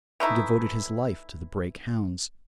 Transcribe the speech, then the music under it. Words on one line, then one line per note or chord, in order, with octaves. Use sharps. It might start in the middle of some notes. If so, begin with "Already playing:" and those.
He devoted his life to the Brake Hounds.
E3 A3 D#4 E4